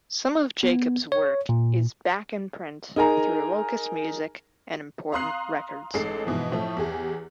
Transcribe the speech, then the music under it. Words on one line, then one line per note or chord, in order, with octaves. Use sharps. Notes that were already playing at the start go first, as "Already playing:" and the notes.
Some of Jacobs' work is back in print through Locust Music and Important Records.
B3
C#5
A#2
D#4 G#4 A#4 G#5 A#5
F5 A#5 C6 D#6 F#6 C7
A1 G#3 D#4 A4 C7
G#2 B2 E3 F3
A2 F3 A3
E2 G4 G#4